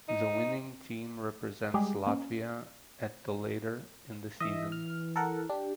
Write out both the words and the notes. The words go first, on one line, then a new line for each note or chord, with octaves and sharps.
The winning team represents Latvia at the later in the season.
D#4
G3 G#3 G4 G#4
A#3 C#4
E3 D#5 E5
F6
A4 A#4 F#5
D4 G4